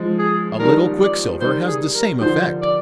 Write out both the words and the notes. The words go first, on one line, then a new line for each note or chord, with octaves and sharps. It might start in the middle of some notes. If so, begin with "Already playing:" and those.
A little quicksilver has the same effect.
Already playing: F3 G#3
G#4
D#3 G3 A#4
D5
D#3 G3 C5
G#4
A#4
D3 F3 C5
D5